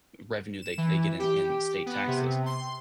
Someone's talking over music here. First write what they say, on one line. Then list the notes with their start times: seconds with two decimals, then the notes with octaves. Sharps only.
revenue they they get in in state taxes,
0.62 E7
0.78 E3
1.19 G4
1.86 B3
2.07 C3
2.46 C6